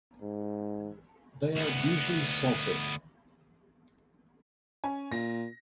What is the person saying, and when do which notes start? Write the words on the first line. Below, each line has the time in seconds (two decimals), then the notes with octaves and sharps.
They are usually salted.
0.22 G#2
1.56 D2 B3
4.84 C#4 G#5
5.12 A#2 A#6